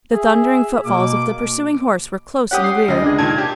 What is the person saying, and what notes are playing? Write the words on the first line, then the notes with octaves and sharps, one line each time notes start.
The thundering footfalls of the pursuing horse were close in the rear.
G#4 E5
B2 A#3 D6
C#4 G4 F#5 D#6
C7
C#2 D#5
D4 G#4
A#2 D#3 A5 G#6
G4